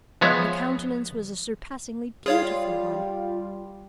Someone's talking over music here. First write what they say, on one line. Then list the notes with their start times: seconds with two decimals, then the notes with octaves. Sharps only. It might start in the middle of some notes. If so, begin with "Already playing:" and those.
The countenance was a surpassingly beautiful one!
0.21 F3 G#3 B3 C#5 E5
2.26 G3 F4 G#4 C#5 F5